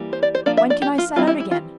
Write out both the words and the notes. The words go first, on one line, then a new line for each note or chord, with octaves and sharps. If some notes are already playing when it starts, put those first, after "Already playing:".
"When can I set out again?"
Already playing: E3 G3 A#3
C5
D5
C5
F3 A#3 D4 D5
E5
D5
G4
F4
E3 G3 C4 E4 F4
E4
E4
F4